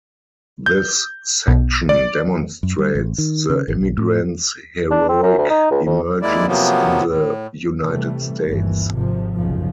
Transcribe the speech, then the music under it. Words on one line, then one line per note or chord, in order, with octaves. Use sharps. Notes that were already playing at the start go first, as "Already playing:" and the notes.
This section demonstrates the immigrants' heroic emergence in the United States.
G6
B1 B2
D5
F#2
G3
A1
D#3
C#3
G#1
B1
A2
D4
C4
F#2
D2
D#4
C#2
F2
D#2 G#3 A#3 E4 D5
C3 F3 F#3 A#3 B3
A2
C3 E3 G3 A3
G1 D#2 E3
G#1 C3 F3
F1 B1 F#2 C#3 F3